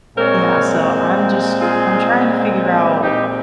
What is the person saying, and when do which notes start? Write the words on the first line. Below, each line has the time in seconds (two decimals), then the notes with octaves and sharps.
Yeah, so, I'm just I'm trying to figure out
0.16 A#2 G#3 C4 A#4 C#5
1.59 F4 G#4
3.02 A#2 G#3 C4 D#4 G4